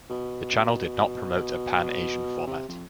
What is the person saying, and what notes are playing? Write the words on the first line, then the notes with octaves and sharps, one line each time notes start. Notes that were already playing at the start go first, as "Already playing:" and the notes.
The channel did not promote a pan-Asian format.
B2
C3
F2